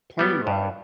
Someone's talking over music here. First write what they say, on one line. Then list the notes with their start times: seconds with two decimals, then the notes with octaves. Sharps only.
a plane ride,
0.19 G3 B3
0.47 G2